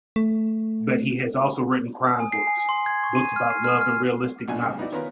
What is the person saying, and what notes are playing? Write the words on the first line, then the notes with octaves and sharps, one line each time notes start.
But he has also written crime-books, books about love and realistic novels.
A3
D#6
G#5
C7
G#5
C6
G#6
C#6
D#7
F6
C7
F6
F6
B1 B2 D4 G#5
C2 C#3
B3 D#4 E4 F#4 D5
D#3 B3 C#4 F4 A#4 B4